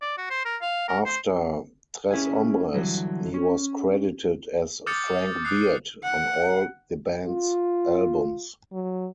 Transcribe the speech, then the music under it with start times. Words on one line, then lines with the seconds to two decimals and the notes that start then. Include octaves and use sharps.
After "Tres Hombres", he was credited as "Frank Beard" on all the band's albums.
0.02 D5
0.18 F#4
0.30 C5
0.45 A#4
0.62 F5
0.88 A#4
1.06 C5
2.11 C#4 E4 G#4 G#5
2.73 D3 E3 F#3 G3
3.34 C#4
4.86 D6 D#6 F6 G6 A6 C#7
5.45 D#6 F#6 C7
6.04 F#5
7.26 F4
8.73 F#3